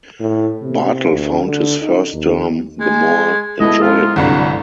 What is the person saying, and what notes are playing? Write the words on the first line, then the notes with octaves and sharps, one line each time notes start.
Bartle found his first term the more enjoyable.
A2
C3
D2
D3
D#4
D#2
G#3 G#5
B2 G#3 E4 A4 D#5
G#2 F4
G1 C2 G2 F#3 F#5